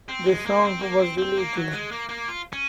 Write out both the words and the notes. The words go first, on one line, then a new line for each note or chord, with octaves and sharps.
This song was deleted.
C4
G#3
A#3
C4
A#3
C4
C4
A#3
F#3
G#3
A#3
A#3
F4
C#4